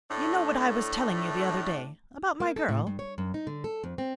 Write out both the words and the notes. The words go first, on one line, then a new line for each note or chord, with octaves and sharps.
"You know what I was telling you the other day about my girl?"
A2 A3 D4
A#3
A4
A2
G2
C#5
F#2
D#4
D3
A4
F2
C4